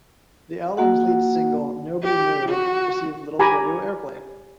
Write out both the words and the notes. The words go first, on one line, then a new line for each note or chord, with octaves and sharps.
The album's lead single, "Nobody Move", received little radio airplay.
A#3 F#4 F#5
G4
F#4
G4 G#5 A#5 B5 D6